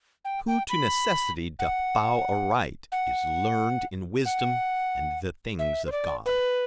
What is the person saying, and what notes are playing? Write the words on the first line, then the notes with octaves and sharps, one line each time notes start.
Who to Necessity doth bow aright, Is learn'd in wisdom and the things of God.
G5
G5
B5
F#5
F#5
F#5
E5
C5
D5
B4